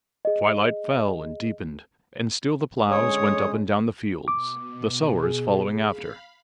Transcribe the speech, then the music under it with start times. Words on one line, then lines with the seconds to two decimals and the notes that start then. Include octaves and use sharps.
Twilight fell and deepened, and still the ploughs went up and down the fields, the sowers following after.
0.25 G#4 D#5
2.88 D3 G#3 C#4 C#5 D#6
4.28 B2 D6
5.23 G#4
5.79 F5 B5